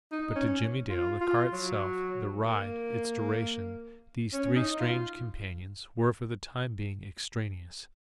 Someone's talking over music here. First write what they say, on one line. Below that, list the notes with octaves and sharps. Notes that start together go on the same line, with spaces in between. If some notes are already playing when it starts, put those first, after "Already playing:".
But to Jimmie Dale, the car itself, the ride, its duration, these three strange companions, were for the time being extraneous.
D#4
C#4
F4
F4
F#3
A#3
C#4
D#4
F4